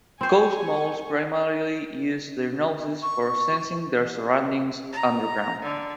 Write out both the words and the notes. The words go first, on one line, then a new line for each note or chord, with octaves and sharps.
Coast moles primarily use their noses for sensing their surroundings underground.
C4 C5 G#5 C#6
C#6
A#5
D3